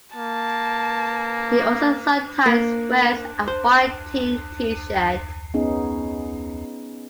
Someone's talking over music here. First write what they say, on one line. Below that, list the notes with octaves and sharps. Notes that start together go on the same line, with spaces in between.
He also sometimes wears a white team T-shirt.
A#3 A5
A#3
C5
B3 C#4 D#4 G#4